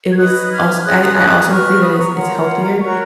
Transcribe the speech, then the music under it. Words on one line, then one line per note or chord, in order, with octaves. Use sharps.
it was als I I also agree that it's it's healthier,
G#6
D#4 F#4 B4 D#6 F#6
F6 G#6
C#4 F4 G#4 C#5 D#6 F#6
D#6 F#6
D#6 F#6
F#4 B4 C#6 F6
B5 D#6
D#6
A#5 C#6
F4 A#4 C#5 F#5 A#5
F#4 A#4 C#5 A#5 C#6